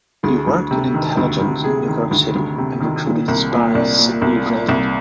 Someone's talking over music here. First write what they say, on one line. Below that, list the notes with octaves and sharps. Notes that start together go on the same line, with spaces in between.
He worked in intelligence in New York City and recruited the spy Sidney Reilly.
D2 G#4
D2
C3
D#3
D2
D2
C3 G#4
D#3
D2
D2
C3
D#3
A#2
C2
A#2
C2 D4
A#2
C2
A#2
C2